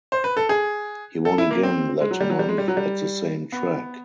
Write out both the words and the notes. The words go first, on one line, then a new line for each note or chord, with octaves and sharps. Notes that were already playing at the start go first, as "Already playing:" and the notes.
He won again that month at the same track.
C5
B4
A4
G#4
A4
E4
A#3
C4
G#3
F#3
G3
F#3
G3
G#3
G3
F#3
G3
B3